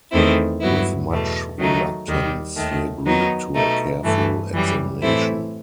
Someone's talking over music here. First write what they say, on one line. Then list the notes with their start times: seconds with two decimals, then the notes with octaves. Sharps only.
With much reluctance he agreed to a careful examination.
0.11 E2 D#3 A3 C4 E4
0.60 G2 F#3 B3 E4
1.09 E2 B2 A3
1.58 D#3 F#3 A3 D#4
2.07 D#2 D#3 G3
2.56 D#2 D#3 A3
3.05 D#3 F#3 B3 D#4
3.54 B2 A3 D#4
4.03 G2 E3 A3
4.52 F#2 E3 G3
5.02 A2 E3 A3 C4 E4